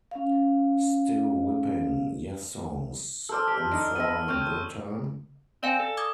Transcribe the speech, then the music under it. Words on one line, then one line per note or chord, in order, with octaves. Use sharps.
Still whipping "Yessongs" on for a good time?
C#4 F5
A4 C5 D5 E6 F6
G4 A5
D4 D#4 D#5
B3 D#5 E6 D#7
C4 C#5 C#6 F6 G6
C4 D5 F5 G#5
A4
D6 D#6 G#6